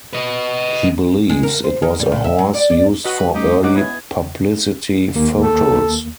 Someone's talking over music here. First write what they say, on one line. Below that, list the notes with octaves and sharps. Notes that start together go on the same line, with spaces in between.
He believes it was a horse used for early publicity photos.
B4 D#5
G#3
A#4
C5
D#3
G3
A#2
E5
F#3
D5
D5
F#4 B4 D#5
G3 A3 C#4 D#4 G4
G#3 C#4 D#4 F#5 D6
B3 E4 G#4
D#2 A#3
A4